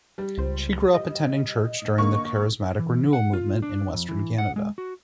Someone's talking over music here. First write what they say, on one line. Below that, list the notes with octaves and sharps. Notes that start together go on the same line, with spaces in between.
She grew up attending church during the charismatic renewal movement in Western Canada.
G3
C#2 C5
D#5
D3 A#3 C#6
E3
F#5
F4
D4
F2
E3
F#5
G#3
F#4